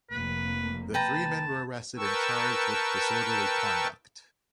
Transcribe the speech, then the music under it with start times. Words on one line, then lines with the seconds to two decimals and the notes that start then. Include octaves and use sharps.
The three men were arrested and charged with disorderly conduct.
0.11 F1 A#3 B4
0.94 B4 G5 A5 A#5
1.97 A#4 B4 G5 A5 C#6 E6